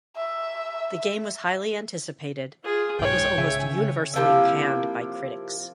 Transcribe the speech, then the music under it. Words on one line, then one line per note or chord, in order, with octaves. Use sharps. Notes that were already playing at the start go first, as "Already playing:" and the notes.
The game was highly anticipated, but was almost universally panned by critics.
E5
F4 G#4
B1 G#2 C#5 G5
C#3 E5 G#5
C3 F3 A#3 E4